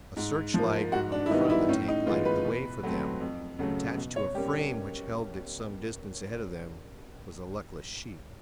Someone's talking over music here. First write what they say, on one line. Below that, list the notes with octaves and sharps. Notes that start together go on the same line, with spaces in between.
A search-light on the front of the tank lighted the way for them and, attached to a frame which held it some distance ahead of them, was a luckless sheep.
G#2
F3
A#3
G#2 F#4
D4
E4
D#3 G3 B3 D#4
E4
A2 C#4
D#4
E3 G#3 B3 F4
B4
B2
F#3 A3 C4
F2
C#3 F#3 A3 C#4
B2
C#5
G3 A#3 C#4 G4